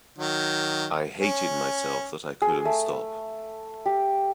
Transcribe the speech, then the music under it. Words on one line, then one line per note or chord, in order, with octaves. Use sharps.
I hated myself that I couldn't stop.
D#3 F#3
C#4
G#4
A3
G4